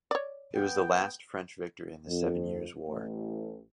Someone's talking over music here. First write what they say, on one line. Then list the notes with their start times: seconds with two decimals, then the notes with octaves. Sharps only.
It was the last French victory in the Seven Years' War.
0.11 C#5 D5
0.55 B3 G5
2.07 F2
2.87 A1